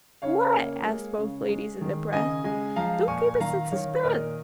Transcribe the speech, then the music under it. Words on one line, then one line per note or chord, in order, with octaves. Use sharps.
"What?" asked both ladies in a breath; "don't keep us in suspense."
C#3 C#5 F5
A#3
G#3
C#3
G#3
D#3
C#3 D#5 G#5
G#3 D#5 G#5
F3 F5 A#5
A#2 G#5 C#6
D#3 F5 A#5
D#3 C#5 F5
A#2 A#4 D#5